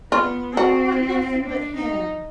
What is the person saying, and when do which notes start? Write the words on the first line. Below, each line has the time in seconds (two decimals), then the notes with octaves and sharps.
"I don't want nothing but him."
0.12 B3 F4
0.56 C4 F#4
1.46 D4
1.76 D#4